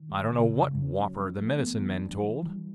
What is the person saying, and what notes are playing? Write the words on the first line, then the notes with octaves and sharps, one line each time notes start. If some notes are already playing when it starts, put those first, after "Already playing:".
I don't know what whopper the medicine men told.
Already playing: D#3
G#3
C#3
F2
C#3
C#4
F#3
F3
A3
B3
E3
D4
F#3
E3
G3